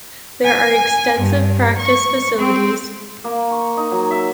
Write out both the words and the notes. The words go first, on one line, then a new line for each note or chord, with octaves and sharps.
There are extensive practice facilities.
G#5
G2
C#6
C4
A#3
C#6
D#4
F#3
E5